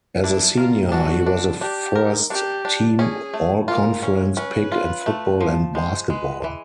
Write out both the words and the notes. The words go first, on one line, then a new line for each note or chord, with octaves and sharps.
As a senior, he was a first team All-Conference pick in football and basketball.
D4 E4
F4 A#4
D4 F#4
D4
D4 G4
A#4
D4 G4
D4
C#4 G#4
A3
F4 A#4
C#4
C#4 B4
F4
A3
F3
G#3 C5
G#3 B4
E3